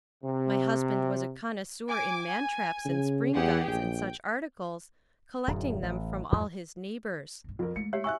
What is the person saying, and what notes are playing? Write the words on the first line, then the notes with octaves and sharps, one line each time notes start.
My husband was a connoisseur in man-traps and spring-guns and such articles, collecting them from all his neighbors.
C3
G#5 D6
G#5
C#3
E2 G4 G#4 F#5
A#1 G5
D1 F#2
A1
E2 G#2 F#3
B1 G2
F2 E3 A#4
G#3 A3 C#7
G4 C#5 E5
E5 G#5 C#6 E6 F#6